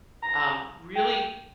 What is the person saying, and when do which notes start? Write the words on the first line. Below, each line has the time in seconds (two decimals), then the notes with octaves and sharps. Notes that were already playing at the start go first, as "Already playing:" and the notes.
um, really
0.23 A#5
0.96 G5